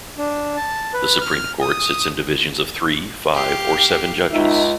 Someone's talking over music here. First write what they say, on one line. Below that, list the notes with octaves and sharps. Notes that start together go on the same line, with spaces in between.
The Supreme Court sits in divisions of three, five or seven judges.
D4
A5
B4
F6
D#6
G4 F5
C#2 D#4 E5